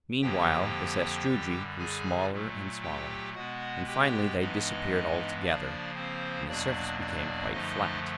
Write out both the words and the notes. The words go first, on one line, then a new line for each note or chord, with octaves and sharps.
Meanwhile the sastrugi grew smaller and smaller, and finally they disappeared altogether, and the surface became quite flat.
F2 D3 F3 A#3 G4 G5
F#2 D3 G3
G#4 G#5
A#2 F#3 A3
G4 G5
B2 G#3 B3 F#4 F#5
G4 G5
G2 E3 G#3 B3 D#4 D#5
C#3 F3 A#3 D4 D5
C4 C5
E2 B2 F#3 A#3 D4 D5
D4 D5
F#2 D3 F3 A3 D#4 D#5